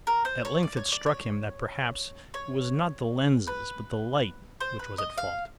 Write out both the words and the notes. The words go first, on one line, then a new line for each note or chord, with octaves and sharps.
At length, it struck him that perhaps it was not the lenses but the light which was at fault.
A#4
C5
C#5
D5
C#5
D5
C#5
C#5
B4
C5
B4
D#5
F5